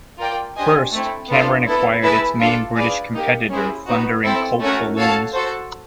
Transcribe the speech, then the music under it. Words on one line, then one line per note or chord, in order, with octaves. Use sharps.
First, Cameron acquired its main British competitor Thunder and Colt Balloons.
F4 A#4 D5 G5
D4 G4 C5 D#5 G#5
A3 C4 E4
B3 D4 F4 A4 C5
B3 E4 A4
E4 G#4 B4 E5 A5
D4 F4 A4
G#4 B4 D5 F5
A#3 D#4 G4 A#4
C#4 E4 G#4 C5
B3 D#4 F#4
C4 E4 A4
A3 C#4 F#4 A#4
F#4 A4 C#5 F5 A5
F#4 A4 C5